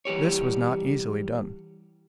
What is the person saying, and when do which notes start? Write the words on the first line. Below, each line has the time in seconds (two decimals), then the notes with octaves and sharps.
This was not easily done.
0.05 E3 G3 G4 C#5